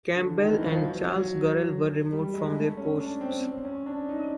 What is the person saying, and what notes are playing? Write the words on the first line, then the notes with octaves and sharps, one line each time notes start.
Campbell and Charles Gorrell were removed from their posts.
D3
D#3
E3
F3
F#3
F#3
G3
G#3
A3
C#4
D4
C4
C4
C#4
D4
D#4